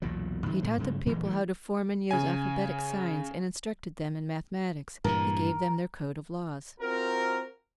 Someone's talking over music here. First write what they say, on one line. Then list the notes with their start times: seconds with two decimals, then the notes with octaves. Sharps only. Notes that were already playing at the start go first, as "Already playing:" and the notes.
He taught the people how to form and use alphabetic signs and instructed them in mathematics: he gave them their code of laws.
0.02 B1 E2 A#2 F#3
0.46 F#2 D#3 F#3 G#3
0.62 A2 A3
0.78 G2 C#3 F#3 A3
1.06 A#2 E3 F#3 G#3
1.23 E3 A3
2.11 C#3 G#5
5.04 G2 A#2 E3 A#4
6.80 C4 F4 F#4 A#4